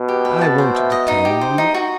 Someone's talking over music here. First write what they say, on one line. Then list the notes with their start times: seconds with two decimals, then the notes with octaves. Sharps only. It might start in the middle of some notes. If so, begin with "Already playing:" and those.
I won't detain you.'
Already playing: B2
0.08 G4
0.25 B4
0.42 A5
0.58 C5
0.75 E5
0.92 D#5
1.08 D#4
1.25 G4
1.41 C5
1.58 D#4
1.74 F#4